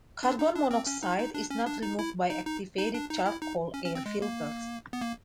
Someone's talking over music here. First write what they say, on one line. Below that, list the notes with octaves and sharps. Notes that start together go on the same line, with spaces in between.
Carbon Monoxide is not removed by activated charcoal air filters.
D4
D#4
D4
C4
C#4
D#4
D#4
D4
C#4
D4
D#4
E4
D#4
D#4
D#4
D4
D#4
E4
D#4
C#4
C#4
C4
G#3
A#3
B3
A#3